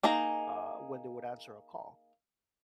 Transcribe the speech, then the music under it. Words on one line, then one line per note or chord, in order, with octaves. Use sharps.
uh, when they would answer a call.
A#3 D#4 G#4 A#5